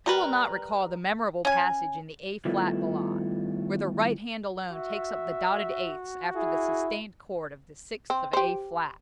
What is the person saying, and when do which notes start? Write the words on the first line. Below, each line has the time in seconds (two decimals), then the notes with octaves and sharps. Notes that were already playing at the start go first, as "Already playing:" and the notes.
Who will not recall the memorable passage in the A flat Ballade, where the right hand alone takes up the dotted eighths after the sustained chord of the sixth of A flat?
0.06 G3 A#4 B4
1.45 C#4 G#5
2.45 D#3 G3 A3 B3 E4 F4
4.71 F#4 E5
6.36 E4 G#4
8.10 C4
8.33 G4 C5